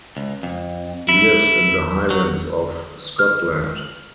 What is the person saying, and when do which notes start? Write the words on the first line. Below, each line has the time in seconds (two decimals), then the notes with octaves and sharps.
He lives in the Highlands of Scotland.
0.17 C#2
0.43 F2
1.09 E4
2.10 F#3
3.19 F6